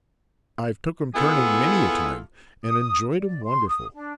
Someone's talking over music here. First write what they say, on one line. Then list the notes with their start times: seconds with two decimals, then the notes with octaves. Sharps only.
I've took 'em turning many a time, and enjoyed 'em wonderful!'
1.15 B3 E4 F4 G#4 A4
2.64 D#6
3.20 D5
3.44 C6
3.68 D#6
3.94 D4